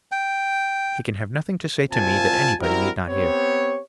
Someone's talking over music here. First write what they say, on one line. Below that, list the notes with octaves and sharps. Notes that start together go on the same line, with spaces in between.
He can have nothing to say to me that anybody need not hear.
G5
C2 A#2 C4 F4 G#5 A5
G3 C4 E4 F#4 A#4
B3 C4 G4 C#5